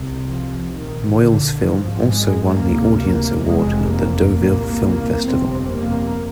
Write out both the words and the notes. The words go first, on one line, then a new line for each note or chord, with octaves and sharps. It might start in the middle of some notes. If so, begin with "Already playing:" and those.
Moyle's film also won the Audience Award at the Deauville Film Festival.
Already playing: C2 C3
F3
A#1 A#2 D#3
D3
G#1 G#2 F3
G#3
D2 C3 A#3
A#3
F1 F2 C3 G#3
A#3
C2 A#2 A#3
G1 F2 C3 C4
A#3